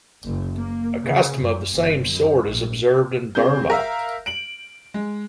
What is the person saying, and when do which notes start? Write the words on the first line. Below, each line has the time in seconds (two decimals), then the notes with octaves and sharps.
A custom of the same sort is observed in Burma.
0.24 F#1
0.58 A#3
1.05 C#3
1.39 F#2
1.76 G1
2.13 F#2
2.50 A#1
3.35 C4 G#4 G6
3.70 A#4 E5 F5
4.26 D7 F#7
4.94 G#3